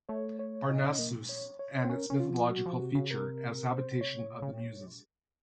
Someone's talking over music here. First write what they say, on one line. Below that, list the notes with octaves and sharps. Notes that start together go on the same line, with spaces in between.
Parnassus and its mythological feature as habitation of the Muses.
A3 C#5
C#5
D#5
C#4 D#5
A#3
C#5
C#5
C4
C#4 A#4
C#4
F4
F3
F#3 F#4
F3
C3
C#3
C3 A#4
C5
C#5
A2
A#2
C#3